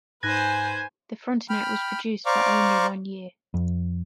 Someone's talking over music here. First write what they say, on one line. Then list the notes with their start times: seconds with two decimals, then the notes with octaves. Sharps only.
The Frontenac was produced for only one year.
0.23 G#2 D#4 B4 C5 G#5 F#6 A#6
1.49 G5 B5 F6
2.26 C5 D5 F5 A#5 C#6 D6
3.54 F2